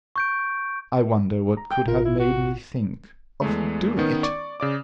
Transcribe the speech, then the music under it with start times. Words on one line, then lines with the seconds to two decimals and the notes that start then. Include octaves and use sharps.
I wonder what could have made me think of doing it!
0.16 C#6 G6 D7
1.57 A#5
1.71 G5
1.88 A1 F4 A#4
2.05 E4
2.19 F#4
3.42 E2 G#3 A3
3.97 D#3 B3 C#4
4.23 D5 C#6 D6
4.60 C#3 D5 D6